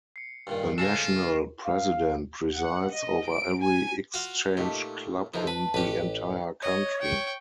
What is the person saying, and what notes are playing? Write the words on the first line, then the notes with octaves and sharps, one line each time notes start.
The national president presides over every Exchange Club in the entire country.
C7 C#7
G2 A#2 D#3
C#3 F4 G#4 A4 A#6 C7 E7
F5
F#5
D#5
D7
G#5
F4 F#4
A#2 A3 D#4 G4
F2 E3 F3 D#4 A#4
B4 A5
A1 G4 B4
C#5 D#5
G5 C#6